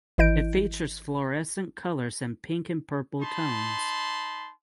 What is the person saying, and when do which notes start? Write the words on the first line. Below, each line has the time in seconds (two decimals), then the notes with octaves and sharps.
It features "fluorescent colors" and "pink and purple tones".
0.18 G#1 E3 E4 D#5 G6 D7
3.20 D#4 A5 B5 C6